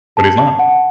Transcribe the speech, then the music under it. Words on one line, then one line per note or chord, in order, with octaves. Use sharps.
but he's not.
A5
A5
F#5